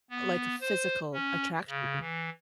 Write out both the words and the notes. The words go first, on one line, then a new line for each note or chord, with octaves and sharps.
like, a physical attraction.
B3
C5
C#4
C#3
E3